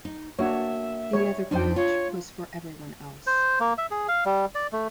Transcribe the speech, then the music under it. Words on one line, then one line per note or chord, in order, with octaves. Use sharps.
The other bridge was for everyone else.
D#4
A#3 D4 F#4 C#5 E5
G3 C#5
F2 D4 D#4 C5 G5
F4 C#5
C5
A#3
E5
G#4
F5
G3
D5
A3